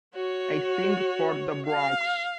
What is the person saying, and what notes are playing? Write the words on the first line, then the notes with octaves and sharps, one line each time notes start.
I sing for The Bronx.
F#4 C#5
F5